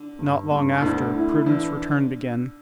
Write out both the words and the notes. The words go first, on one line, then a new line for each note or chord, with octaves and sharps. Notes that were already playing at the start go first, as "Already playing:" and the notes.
Not long after, Prudence returned again.
Already playing: D3
G2
G2
B2
D2 D3
E4
D3 E3